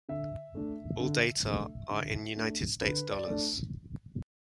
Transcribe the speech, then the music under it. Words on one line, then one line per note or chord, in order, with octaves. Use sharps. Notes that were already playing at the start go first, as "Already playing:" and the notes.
All data are in United States dollars.
D3 E5
A3 D4
D3
A3 D4
D3
A3 D4
D3 B4
D5
A3 D4